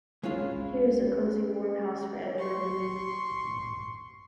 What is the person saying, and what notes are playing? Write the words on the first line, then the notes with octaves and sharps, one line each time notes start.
Here's a cozy warm house for Edward and me.
G#3 C#4 E4 F4 G#4
C6 C#6